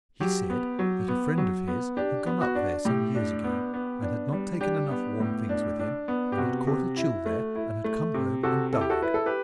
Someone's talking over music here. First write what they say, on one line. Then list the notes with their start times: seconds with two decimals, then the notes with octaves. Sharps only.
He said that a friend of his had gone up there some years ago, and had not taken enough warm things with him, and had caught a chill there, and had come home and died.
0.20 F#3 G4
0.50 B3
0.79 F#3
1.08 B3
1.38 F#3
1.68 B3
1.97 D4 G4
2.26 B3
2.41 F#4
2.55 D4
2.85 A2 G4
3.15 D4
3.44 B3
3.74 B3
4.03 D4
4.32 G3
4.61 D4 G4
4.91 B3
5.20 A2
5.49 D4
5.79 D4
6.08 B3
6.32 G4
6.38 C3 F#4
6.67 C3
6.97 E4
7.26 A3
7.55 E4
7.84 A3
8.14 C3
8.43 C3 F#4 A4
8.73 E4 A4
8.81 G4
8.90 F#4 A4
9.02 E4 B4
9.14 A4
9.26 G4 B4